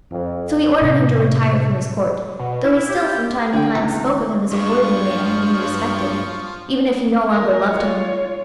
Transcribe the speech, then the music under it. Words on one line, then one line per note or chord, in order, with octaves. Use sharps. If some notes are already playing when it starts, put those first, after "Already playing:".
So he ordered him to retire from his Court, though he still, from time to time, spoke of him as a worthy man whom he respected, even if he no longer loved him.
F2
A2 C3
B2
E4
G4
G6
D3 G#4 G5
G#1 C#2 A#5
G2 F3 C#6
A#4
F4 C#5